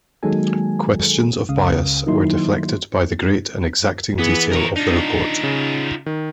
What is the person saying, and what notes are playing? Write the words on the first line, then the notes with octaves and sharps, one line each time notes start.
Questions of bias were deflected by the great and exacting detail of the report.
D#3 F#3 G#3 A#3 A4 G#5
C#2 C#3 F5 D#6
D#3 F#3 A#3 D#4 E4 C6
E3 B3 G#4
A#4 C#5
D4 D#4 F4
C#3
D#3